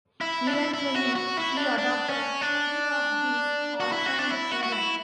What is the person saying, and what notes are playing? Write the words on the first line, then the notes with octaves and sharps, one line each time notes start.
Eventually, she adopted three of these orphaned children.
E4
D4
E4
E4
F#4
F#4
E4
D4
D4
C#4
D4
F#4
E4
F#4
D4
E4
F#4
F#4
E4